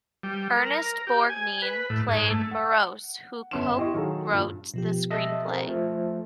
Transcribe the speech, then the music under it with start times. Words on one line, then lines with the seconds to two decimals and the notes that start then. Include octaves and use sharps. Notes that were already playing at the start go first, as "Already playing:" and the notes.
Ernest Borgnine played Morros, who co-wrote the screenplay.
0.23 G3
0.57 A#4
1.07 G4
1.30 G#5
1.62 B4
1.90 A2
2.08 G#2
2.30 A3
2.51 F#5
3.51 G1 B3 C#4 A5 C6 E7
3.77 E4 G4 D#5 C6 C#6
3.94 D#3 F#3 G#4 A4 F5
4.31 G2 A#2
4.74 B2 F3 G4
5.11 A4 D#5 E5
5.44 C4 A#4
5.66 F3 A3